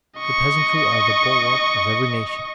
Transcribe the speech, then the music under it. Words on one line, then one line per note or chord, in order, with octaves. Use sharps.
The peasantry are the bulwarks of every nation.
D#5 C#6